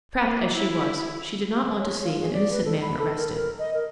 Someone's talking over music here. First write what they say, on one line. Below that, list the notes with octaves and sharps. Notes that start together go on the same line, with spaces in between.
Trapped as she was, she did not want to see an innocent man arrested.
A#3
E4
C#5
F4
G#4
D5
B4
A4
B5
A4
A#4
A#4
D#5
A#4